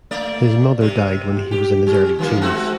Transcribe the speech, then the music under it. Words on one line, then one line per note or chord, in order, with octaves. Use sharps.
His mother died when he was in his early teens.
A3 D5
C3
G4
G3
D#3 F3 A#3
G#3 C4 F#4